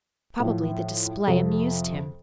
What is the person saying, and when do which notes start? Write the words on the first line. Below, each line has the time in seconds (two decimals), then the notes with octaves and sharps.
Probably the display amused him.
0.39 A2 F3
1.27 F2 C3 F3 A4